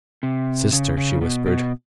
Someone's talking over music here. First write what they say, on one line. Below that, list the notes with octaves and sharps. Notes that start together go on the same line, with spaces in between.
"Sister!" she whispered.
C3
C#3
C#3
B2
B2